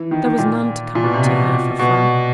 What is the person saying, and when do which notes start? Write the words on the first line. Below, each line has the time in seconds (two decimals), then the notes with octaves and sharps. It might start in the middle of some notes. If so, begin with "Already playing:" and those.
There was none to come up to her for fun.
Already playing: E3
0.11 D#3
0.25 D#3
0.38 A#2
0.95 A#2
1.04 B2
1.13 C3
1.24 B2
1.79 B2